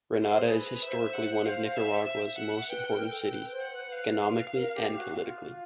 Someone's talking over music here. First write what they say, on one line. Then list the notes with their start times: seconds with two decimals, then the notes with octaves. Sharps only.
Granada is historically one of Nicaragua's most important cities, economically and politically.
0.21 A4 C5
0.42 G#4
0.53 B4
0.83 C5 E5
1.14 F#5
1.45 F5
1.76 E5
2.07 E5
2.38 F#5
2.69 B4 G5
2.89 A#4
3.10 A4
3.30 B4 G5
3.51 C5
3.62 F#5
3.72 B4
3.93 F5
4.54 A#4
4.75 G4
4.87 G4
4.96 F#4
5.17 F#4
5.22 F4